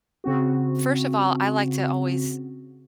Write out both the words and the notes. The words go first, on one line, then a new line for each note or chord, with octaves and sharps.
First of all, I like to always
C#3 C4 F#4